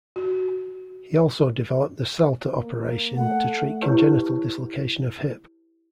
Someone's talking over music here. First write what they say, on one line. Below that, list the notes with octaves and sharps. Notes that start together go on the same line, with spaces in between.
He also developed the Salter operation to treat congenital dislocation of hip.
F#4
A#3
A3 F#5
E4 G4 B4 C#5 A5 C#6